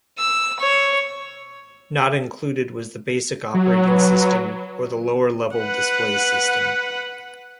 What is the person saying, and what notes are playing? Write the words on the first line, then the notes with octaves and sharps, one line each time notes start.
Not included was the basic operating system, or the lower-level display system.
E6
C#5
F#3
B4
B4 F#5